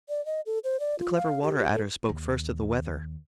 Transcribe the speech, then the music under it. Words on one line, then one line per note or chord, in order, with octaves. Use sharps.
The Clever Water-Adder spoke first of the weather.
D5
D#5
A4
C5
D5
F4
F5
G4
A4
D#2